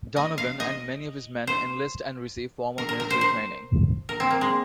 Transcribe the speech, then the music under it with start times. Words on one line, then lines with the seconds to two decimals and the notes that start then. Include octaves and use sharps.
Donovan and many of his men enlist and receive formal military training.
0.16 D#5
0.38 F5
0.60 D#5
1.47 C5
2.78 A#4
2.89 A#4
3.00 A#4
3.10 C5
3.21 C5
4.09 A#4
4.20 C4
4.30 A#3
4.41 G#3